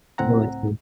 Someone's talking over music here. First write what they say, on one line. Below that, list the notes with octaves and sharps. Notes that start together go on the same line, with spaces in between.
totally true.
C#2 A2 C4 F#5 A#5